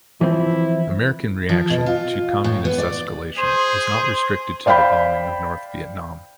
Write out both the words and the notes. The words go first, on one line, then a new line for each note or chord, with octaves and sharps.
American reaction to Communist escalation was not restricted to the bombing of North Vietnam.
E3 F3 C4 E4
F3
B2
F4
A2
B3
D5
G#4 C5 C6
C5 D5 F5 G5 B5 G6